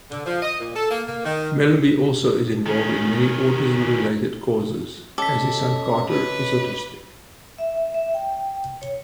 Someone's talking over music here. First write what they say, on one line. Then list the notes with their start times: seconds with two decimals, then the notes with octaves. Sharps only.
Mellanby also is involved in many autism-related causes as his son Carter is autistic.
0.11 D3
0.26 F3
0.42 D#5
0.59 A#2
0.75 A4
0.90 A#3
1.07 A#3
1.24 D#3
2.66 D#3 C#4
5.18 C#4 A4 C#5 D#5 D6 B6
6.09 B4
7.58 E5
7.94 E5
8.14 G5
8.82 C#5